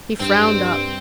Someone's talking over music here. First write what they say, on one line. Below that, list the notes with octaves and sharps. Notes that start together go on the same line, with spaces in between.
He frowned up.
G2 C4